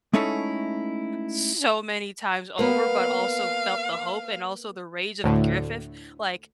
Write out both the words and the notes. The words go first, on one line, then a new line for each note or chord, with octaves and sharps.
so many times over, but also felt the hope and also the rage of Griffith, like
G#3 A3 C#4 D#4 E4 A4
A#3 B3 F5
D2 A2 D3